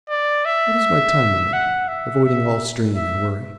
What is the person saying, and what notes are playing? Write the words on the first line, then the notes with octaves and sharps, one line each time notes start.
What is my time-limit, avoiding all strain and worry?'
D5
E5
F#5
E5
E5
E5